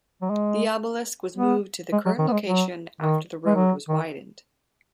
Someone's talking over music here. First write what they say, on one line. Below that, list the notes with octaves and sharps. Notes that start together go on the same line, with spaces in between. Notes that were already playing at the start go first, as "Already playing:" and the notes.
The obelisk was moved to the current location after the road was widened.
F#3
G#3
B3
G#3
F#3
D#3
B3
G#3
F#3
D#3
G#3
F#3
D#3